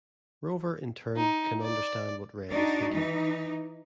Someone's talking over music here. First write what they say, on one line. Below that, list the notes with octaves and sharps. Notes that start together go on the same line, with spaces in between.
Rover, in turn, can understand what Red is thinking.
D#4
D5
D4 D#4 F#4
E3 D#4